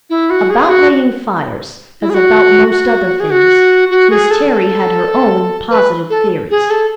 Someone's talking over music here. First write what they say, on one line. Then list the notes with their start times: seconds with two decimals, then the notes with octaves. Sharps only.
About laying fires, as about most other things, Miss Terry had her own positive theories.
0.10 E4
0.30 F#4
0.50 G#4
0.69 F#4
2.01 E4
2.10 G#4
2.14 F#4
2.70 F#4
3.20 G#4
3.31 F#4
3.90 F#4
4.10 G#4
4.31 A4
5.70 B4
6.10 A4
6.51 G#4
6.70 A4